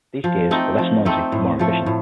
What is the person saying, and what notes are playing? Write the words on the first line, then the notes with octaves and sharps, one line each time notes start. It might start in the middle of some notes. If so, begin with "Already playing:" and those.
These gears were less noisy and more efficient.
F3
A3 C4 D#4
F3
A3 C4 D#4
A2
F3 A3
A2